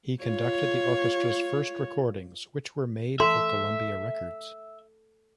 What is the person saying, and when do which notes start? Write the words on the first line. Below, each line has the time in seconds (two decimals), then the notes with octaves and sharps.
He conducted the orchestra's first recordings, which were made for Columbia Records.
0.23 F4 C#5
3.20 A4 E5 C6